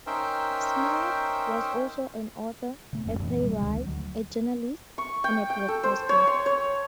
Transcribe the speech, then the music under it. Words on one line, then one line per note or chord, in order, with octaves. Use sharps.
Smyth was also an author, a playwright, a journalist and a broadcaster.
C#4 D#4 A#4 C5 E5 G5
C#3 A3
F1 G2 D3 C#4
F#2 A#2 C#3 E3
D1 C3 G3 G#3
A1 D2 D#3
D2 F#3
C#6
G5
G5
A4
C5
C#5
C6
C#5